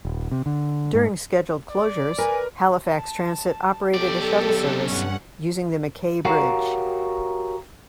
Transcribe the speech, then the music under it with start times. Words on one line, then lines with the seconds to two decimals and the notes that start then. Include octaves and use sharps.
During scheduled closures, Halifax Transit operated a shuttle service using the MacKay Bridge.
0.05 D#1
0.32 C3
0.46 D3
0.95 G#2
1.70 D5
2.18 A#4 B4 G#5
2.89 A5
3.94 B1 G4 A4 D5
4.87 G2 C#4 F#5
6.25 F#4 G4 A#4 C#5 F5 F#5